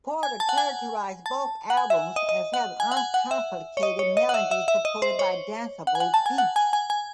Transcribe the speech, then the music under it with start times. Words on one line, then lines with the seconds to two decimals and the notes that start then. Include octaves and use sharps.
Porter characterized both albums as having uncomplicated melodies supported by danceable beats.
0.23 G#5
0.40 A5
0.49 F#5
0.58 G#5
1.26 A5
1.70 F#5
1.77 G#5
1.90 E5
2.16 D#5
2.29 D#5
2.54 F#5
2.80 G#5
2.92 F#5
2.97 G#5
3.14 F#5
3.31 E5
3.77 C#5
3.83 D#5
3.99 C#5
4.17 D#5
4.29 F#5
4.34 E5
4.51 E5
4.68 E5
4.85 D#5
5.02 C5
5.19 C#5
5.87 F#5
5.95 G#5
6.00 F#5
6.14 A5
6.26 G#5
6.38 F#5
6.56 G#5
6.73 G#5
6.90 G#5